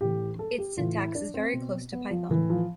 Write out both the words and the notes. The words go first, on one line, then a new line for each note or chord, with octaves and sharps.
Its syntax is very close to Python.
A2 E3 G4
A4
G4
A2 E3 F4
E4
D4
C4
B2
B3
F3
A2 E3
F3